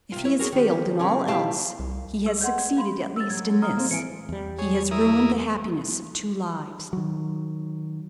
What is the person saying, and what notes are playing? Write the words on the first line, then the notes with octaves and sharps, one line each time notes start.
If he has failed in all else, he has succeeded at least in this: he has ruined the happiness of two lives.
C3 F4
E4 C#5
F#4 G#4 A#4
D#3 G4
C#3 C4 C#4
B2 E4 G4 F5 A5
C2
G#4 B4 E6
C#5 D5 F#5 C6
D5
F5 B5 C6
E6 A6
F#3 G#6
A#5 D#6 F6
A#3 C4
E3 G#5 C#7 D7
E2 G3
G#4 C#5
E4 A#4 D#6
D#3 F#3